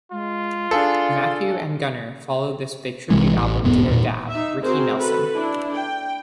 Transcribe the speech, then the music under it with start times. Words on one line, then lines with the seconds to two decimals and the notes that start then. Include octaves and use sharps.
Matthew and Gunnar followed this with a tribute album to their dad, Ricky Nelson.
0.12 G#3 F4
0.71 D4 G#4 A4 F5
3.11 C2 C3 E3 G#3
3.36 A1
3.64 E1 G#2 B3
3.88 E2 A#2
4.30 D#4 E5
4.62 C4 F#4 G#4 A#4 C5
4.95 F#4 A4 B4
5.34 D4 E4
5.73 G5